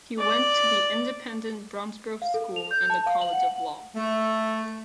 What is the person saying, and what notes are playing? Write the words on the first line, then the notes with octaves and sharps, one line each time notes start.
He went to the independent Bromsgrove School and the College of Law.
D5
F5
A4
F7
G6
A5
F5
F#7
F#5
A3